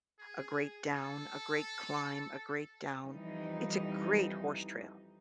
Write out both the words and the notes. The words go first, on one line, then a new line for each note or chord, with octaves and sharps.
a great down, a great climb, a great down. It's a great horse trail,
G#4
A4
F2 E3 G3 D#4